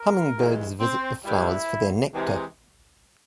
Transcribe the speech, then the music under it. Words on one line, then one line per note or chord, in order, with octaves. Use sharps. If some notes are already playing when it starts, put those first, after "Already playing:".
Hummingbirds visit the flowers for their nectar.
Already playing: A#4
G2 E3 G#3
C4
G2 G3 E4
C3 E3 G#3